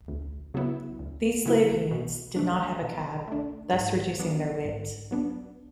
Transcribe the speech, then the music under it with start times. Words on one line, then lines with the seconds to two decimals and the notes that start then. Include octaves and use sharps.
These slave units did not have a cab, thus reducing their weight.
0.08 D2
0.54 C#3 F#3 B3 E4
0.99 D2
1.45 C#3 F#3 B3 E4
1.91 B2
2.36 A3 D4
2.82 B2
3.28 A3 D4
3.73 G#2
4.19 F#3 B3 D4
4.65 G#2
5.11 F#3 B3 D4